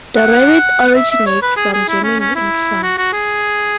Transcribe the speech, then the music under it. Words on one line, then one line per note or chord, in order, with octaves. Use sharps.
The rabbit originates from Germany and France.
F#5
E5
E5
C#5
B4
G#4
G#4
E4
C#4
C#4
E4
F#4
F#4
G#4